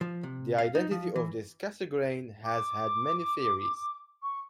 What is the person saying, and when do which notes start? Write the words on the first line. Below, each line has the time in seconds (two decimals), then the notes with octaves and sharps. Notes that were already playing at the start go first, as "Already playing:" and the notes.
The identity of this "Cassegrain" has had many theories.
0.01 F3
0.23 C3
0.58 F5
0.75 D#4
0.91 F3
1.16 E3
2.44 D6
4.22 C#6